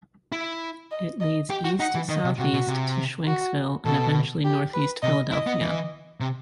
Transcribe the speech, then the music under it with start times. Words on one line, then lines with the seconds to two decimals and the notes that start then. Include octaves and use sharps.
It leads east-southeast to Schwenksville and eventually Northeast Philadelphia.
0.32 E4
0.91 D#5
1.20 D#5
1.50 G4 G5
1.64 F#4
1.79 D#4 F#5
1.95 E3
2.09 D#3 D#5
2.24 C3
2.39 C3 F#4
2.53 B2
2.68 C3
3.27 F#4
3.85 B2 A4
4.45 G4
4.74 B4
5.02 C3 D#5
5.32 E4 D#5
5.47 B3
5.61 E3
6.20 C3